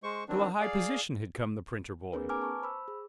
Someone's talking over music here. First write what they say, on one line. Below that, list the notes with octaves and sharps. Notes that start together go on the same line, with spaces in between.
To a high position had come the printer-boy.
G#3 C5 C#6
D#3 F#3 C4 D4
G#4 D5 F5
A#3 C4 D4 G#4 A#4 B4
B4 G#5 A#5 D6 F6
A5 C#6
C5 B5 E6
G#4